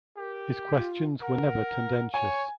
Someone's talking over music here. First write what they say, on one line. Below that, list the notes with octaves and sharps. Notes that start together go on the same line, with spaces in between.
His questions were never tendentious.
G4 A#4
F4
A#4 F#5
C#5 G#5